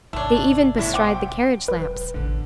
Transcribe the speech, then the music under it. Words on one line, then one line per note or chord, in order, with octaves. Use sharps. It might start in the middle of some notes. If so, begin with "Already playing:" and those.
They even bestride the carriage lamps.
G#1 C3 A3 D4 C#5 E6
G1 A2 E4
C5 F#5 G5 D6
E1 F#3 B4
A1 E2 D3